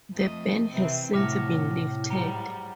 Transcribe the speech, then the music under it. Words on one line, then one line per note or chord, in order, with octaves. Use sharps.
The ban has since been lifted.
F2 A3 D#5
C3 E3 C4
A2 C3 F#3 A3 C#5 D6 F6 A#6
G#2 F#3 G3 A#5